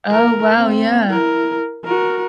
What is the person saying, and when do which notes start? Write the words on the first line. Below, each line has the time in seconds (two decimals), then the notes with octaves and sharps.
Oh wow, yeah.
0.11 A#4
0.57 C4
1.09 E4 A#4
1.85 F#4 A#4